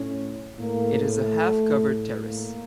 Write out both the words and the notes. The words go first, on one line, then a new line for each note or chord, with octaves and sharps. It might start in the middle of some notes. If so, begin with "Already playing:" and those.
It is a half covered terrace.
Already playing: A2 C#4
A2 A#3
A3
A2
A#3